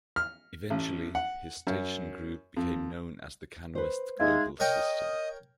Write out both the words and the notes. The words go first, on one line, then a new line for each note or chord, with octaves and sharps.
Eventually, his station group became known as the Canwest Global System.
F6
A1
F#5
F#2
F2
B4 C5
G#3 D#4 E5 F5 G#6
A#4 C#5 D#5 G5 D#6